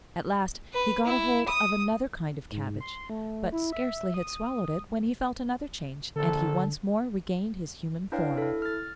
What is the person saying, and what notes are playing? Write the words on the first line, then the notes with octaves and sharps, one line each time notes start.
At last he got hold of another kind of cabbage, but scarcely had swallowed it when he felt another change, and he once more regained his human form.
B4
E4
D#6
G#2
C6
A3
E4
E5
D#6
A#1 D3 A4
D4 E4 B4 C#5 F5 G5
E4 A4
F6 A6